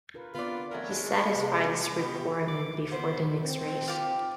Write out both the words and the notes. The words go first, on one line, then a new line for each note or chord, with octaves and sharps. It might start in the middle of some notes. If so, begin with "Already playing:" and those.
He satisfied this requirement before the next race.
F4 A#4 B4
D3 B3 C4 F4 B4 D5
E3 F#3 A3 A#4 B4 C#5
G#3 C#5
C3
B2 B3 G4
D6
B3 C5
C4
F4 G4